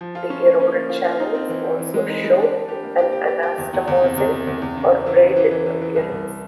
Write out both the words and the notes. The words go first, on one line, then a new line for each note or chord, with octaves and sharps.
The eroded channels also show an anastomosing, or braided, appearance.
F3
F4
C#4
A#3
C#4
A#3
F4
F4
D#4
C4
E3
C4
E3
G#3
D#4
G#3
D4
D4
G4
A#3
G4
G4
G4
G4
E2
E2
E2
C3
E2
C3
E2
E2
C#3
C#3
E3
B3
E3
E3
E3
E3
C2
C2